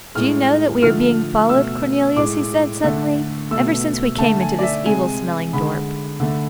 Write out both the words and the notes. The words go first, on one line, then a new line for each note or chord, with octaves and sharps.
'Do you know that we are being followed, Cornelis?' he said suddenly, 'ever since we came into this evil-smelling dorp.'
A2 G#3 F6
D3 F3 A3 F6
B2 A3 E6
A2 G#3 D6
D3 A3
B2 A3 E6
D3 A3 A5
G#5
D5
E5
C3 G#3 G#5
D3 G#3 B5
D3 A3